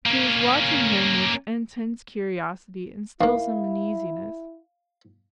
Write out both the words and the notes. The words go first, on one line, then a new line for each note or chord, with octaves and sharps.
She was watching him with intense curiosity and still some uneasiness.
A#3 C#4
D#2 A#3 E4 F5